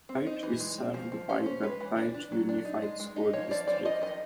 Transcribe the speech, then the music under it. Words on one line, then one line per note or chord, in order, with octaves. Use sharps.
Page is served by the Page Unified School District.
C4
D#4
E3
G#3
C4
F3
F3
C#4 C5
C#4
G#3 B4
E3
D4
D4
F#3
D4
D#4
G#3
G#3
D#4
F3 C#5
F3 D5
F3 D5
F3 D#5
D#3 D#5